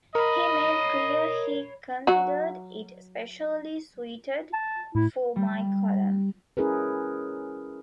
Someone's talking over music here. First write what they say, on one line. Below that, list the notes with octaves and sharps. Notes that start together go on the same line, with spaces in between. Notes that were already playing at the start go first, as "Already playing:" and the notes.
He made clear he considered it especially suited for my column.
A#4 C#5 D#5 B5
F#3 F#4
A5
A2 E4
G3
C#4 E4 G#4 A#4 B4